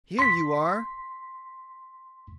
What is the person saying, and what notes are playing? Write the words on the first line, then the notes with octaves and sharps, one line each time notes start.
"Here you are!"
C6 B6